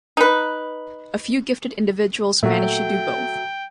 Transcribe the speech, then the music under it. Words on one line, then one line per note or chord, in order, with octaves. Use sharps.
A few gifted individuals manage to do both.
D#4 B4
A#2 F#3 A3 F#4 E5 G5